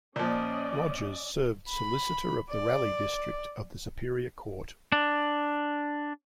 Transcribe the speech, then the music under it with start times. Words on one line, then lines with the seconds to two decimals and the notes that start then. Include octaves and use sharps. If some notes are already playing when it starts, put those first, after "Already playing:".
Rogers served solicitor of the Raleigh district of the superior court.
0.16 A#2 F3 C#4 D5 D#5
1.69 B5
2.50 D5
4.92 D4